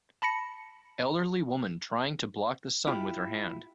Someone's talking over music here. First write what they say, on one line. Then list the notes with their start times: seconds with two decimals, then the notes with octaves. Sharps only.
Elderly woman trying to block the sun with her hand.
0.22 A5 B5 A#6 C#7
2.87 E4 F4 G4